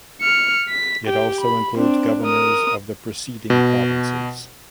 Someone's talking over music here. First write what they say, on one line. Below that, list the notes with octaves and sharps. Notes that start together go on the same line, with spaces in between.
It also includes governors of the preceding provinces.
F6 C#7
B6
G4 G5
B5
C4 D4
A#4 D#6
B2